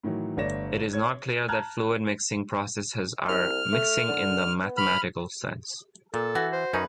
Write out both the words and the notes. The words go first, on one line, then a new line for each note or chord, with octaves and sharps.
It is not clear that fluid mixing processes are mixing in the mathematical sense.
A2 D#3 E3 F#3
G1 A3 C#5 D5 A#6 E7
C#5 G#6
A5 A#5 F6 F#6 G#6
C2 F6
A3
D3
B3
B5 F6
A#2 A4
E3 F#4
C5
F#2 C#4 D#4 B4